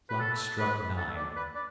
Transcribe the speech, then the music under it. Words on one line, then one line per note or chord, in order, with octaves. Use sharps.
The clock struck nine.
B4
A4
B4
A4
D5
B4
D5